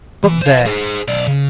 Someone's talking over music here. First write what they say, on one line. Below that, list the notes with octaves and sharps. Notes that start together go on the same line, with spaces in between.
But there!
E3
C5 F5
G#4 C5
B1 D5
C#3